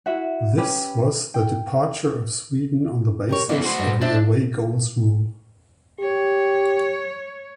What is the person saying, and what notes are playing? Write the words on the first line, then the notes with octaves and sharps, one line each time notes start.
This was the departure of Sweden on the basis of the away goals rule.
E4 F#4 E5 F#5
C#4 G4 B4
G5
G4 A#4 C#5
E2 D5 D#5
F#4 C5
G2
D4 C5 D#5 E5
G4 C#5